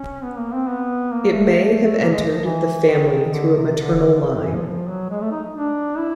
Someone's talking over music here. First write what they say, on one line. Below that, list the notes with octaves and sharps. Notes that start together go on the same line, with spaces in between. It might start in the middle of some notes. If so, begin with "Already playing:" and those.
It may have entered the family through a maternal line.
Already playing: C#4
B3
A#3
C4
B3
A#3
A3
A#3
G#3
F3
E3
D#3
D3
C3
D3
D3
C#3
D#3
E3
F3
F3
F#3
G#3
A3
D#4
D4
E4